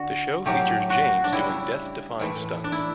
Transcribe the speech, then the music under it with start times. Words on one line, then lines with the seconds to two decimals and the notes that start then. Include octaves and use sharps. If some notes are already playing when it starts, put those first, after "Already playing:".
The show features James doing death defying stunts.
Already playing: D3 F#4
0.46 A2 F#3 A3 G4
0.90 F#4
1.24 D4
1.32 C#3 G3 E4
2.19 A2 E3 A3
2.64 D4
2.72 E4